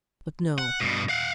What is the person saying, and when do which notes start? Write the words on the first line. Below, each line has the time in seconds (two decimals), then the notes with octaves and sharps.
But no.
0.58 F#5
0.81 G2 B2
1.09 F5 F#5